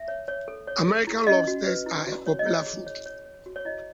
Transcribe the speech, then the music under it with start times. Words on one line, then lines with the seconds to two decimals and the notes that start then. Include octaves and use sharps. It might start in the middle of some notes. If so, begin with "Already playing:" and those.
American lobsters are a popular food.
Already playing: E5
0.08 C#5
0.28 C#5
0.48 A4
0.67 C#5
0.87 G#4
1.07 E4
1.27 C#4 D#5
1.47 F#4
1.66 B4
1.86 E4
2.07 F#4
2.26 C#5
2.39 D#5
2.46 E4 C#5
2.66 G#4
2.87 C#5
3.06 C#5
3.26 C#5
3.46 F#4
3.56 C#5
3.65 E4 D#5